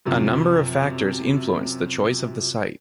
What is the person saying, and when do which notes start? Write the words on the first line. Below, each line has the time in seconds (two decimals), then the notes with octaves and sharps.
A number of factors influenced the choice of the site.
0.06 F#2 C3 F3